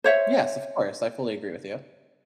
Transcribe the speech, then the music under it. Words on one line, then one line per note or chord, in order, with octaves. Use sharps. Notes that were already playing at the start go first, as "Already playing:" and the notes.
Yes, of course, I fully agree with you.
C5 C#5 E5